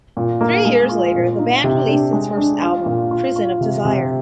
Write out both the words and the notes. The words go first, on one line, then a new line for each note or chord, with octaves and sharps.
Three years later the band released its first album, "Prison of Desire".
A#2
A#3
G#3
F4
A#2
D#4
C3
D4
G#3
D4
F4
A#2
F4
F4
C3
C3